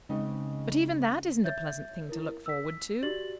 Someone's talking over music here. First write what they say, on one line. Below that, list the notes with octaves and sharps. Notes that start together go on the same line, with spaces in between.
But even that isn't a pleasant thing to look forward to.
C#3 G#3 C4 C#4 D#4
C#5 E5 G6 A6
E4 A#4
E6 B6
F#4 G4 D5 A6 F#7